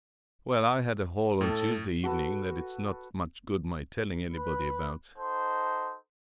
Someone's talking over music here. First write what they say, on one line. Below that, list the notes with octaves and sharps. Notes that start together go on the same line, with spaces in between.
"Well, I had a haul on Tuesday evening that it's not much good my telling anybody about."
A2 A4
F#4 A4 B4
B4
D#4 F#4 A4 C5